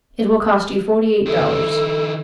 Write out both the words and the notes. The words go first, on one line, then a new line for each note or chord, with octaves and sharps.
It will cost you forty-eight dollars.
D#3 E4 A4